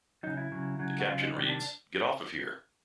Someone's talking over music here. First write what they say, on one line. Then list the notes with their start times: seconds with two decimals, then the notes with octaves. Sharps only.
The caption reads, Get off of here!
0.23 C#3 F#3 D#4
0.37 E4
0.52 C#3 F#3
0.79 C#3 F#3
1.00 F#4
1.08 C#3 F#3 F4
1.21 D#4
1.35 C3 D#3 G3 D4
1.49 D4